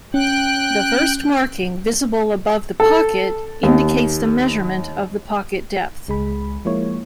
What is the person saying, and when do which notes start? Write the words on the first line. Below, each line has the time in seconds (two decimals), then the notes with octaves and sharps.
The first marking visible above the pocket indicates the measurement of the pocket depth.
0.14 C#4 G5 F#6
2.80 A4
3.63 D#2
6.08 C#2 G#3 G#4 B5
6.65 F3 G#3 A#3 E4 C#5